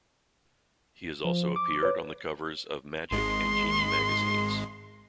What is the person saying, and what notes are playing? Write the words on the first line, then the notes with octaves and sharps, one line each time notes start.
He has also appeared on the covers of "Magic" and "Genii" magazines.
F3
D6
B4 C#5
G#1 G#3 C6